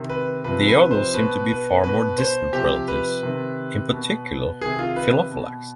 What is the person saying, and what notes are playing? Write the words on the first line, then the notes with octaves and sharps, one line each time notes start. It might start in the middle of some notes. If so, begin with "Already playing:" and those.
The others seem to be far more distant relatives, in particular "Pelophylax".
Already playing: C3 D#3
B4
C3 F3 B4
B4
C5
B2 B4
B4
B2 B4
C5
C3 F3 G4
B4
C3 D#3
B2
C3 D#3 G#4
F4
B4
B2